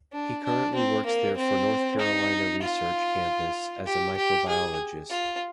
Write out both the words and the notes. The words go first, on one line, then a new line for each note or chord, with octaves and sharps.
He currently works there for North Carolina Research Campus as a microbiologist.
D4
D4
C4
A#3
C4
D#4
F4
G4
G4
G#4
F4